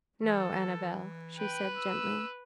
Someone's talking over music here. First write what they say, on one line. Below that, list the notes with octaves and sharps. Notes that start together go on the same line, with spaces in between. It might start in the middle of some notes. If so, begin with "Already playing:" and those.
"No, Annabel," she said gently.
E3 A4
B4 G5
E6